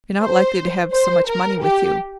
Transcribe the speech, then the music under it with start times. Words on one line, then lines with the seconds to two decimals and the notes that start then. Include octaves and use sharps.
You're not likely to have so much money with you.
0.21 C5
0.92 C5
1.28 A#4
1.63 G4